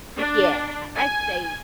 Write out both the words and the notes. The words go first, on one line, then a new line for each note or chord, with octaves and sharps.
yeah, I I'd say
D4
G#5